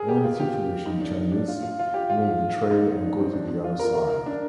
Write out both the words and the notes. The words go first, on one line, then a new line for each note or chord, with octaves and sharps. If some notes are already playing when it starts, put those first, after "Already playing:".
When situation changes, you’ll betray and go to the other side.
Already playing: G#4 A#4
G4
F4
G4
D#4
D4
D4
F4
F4
F4
G4
F4
D#4
D4
C4
D4
F4
A#4
A#4
D4